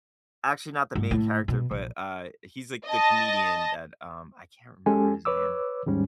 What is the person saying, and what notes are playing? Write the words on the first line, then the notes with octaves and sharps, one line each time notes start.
actually, not the main character, but, uh, he's, like, the comedian that, um I can't remember his name.
G#2
A2
B2
A#1
D#5 A5
G#3 C#4 G4 A4 G#5
B4 C#5 D6 E6
D#2 G#2 G3 C#4